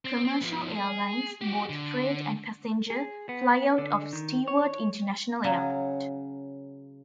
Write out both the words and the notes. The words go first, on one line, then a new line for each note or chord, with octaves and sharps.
Commercial airlines, both freight and passenger, fly out of Stewart International Airport.
C4
C4
F3 B3
G#4
F#4 G4
D3
G#4
B3
D3
D#3
C#5
C#3 F#3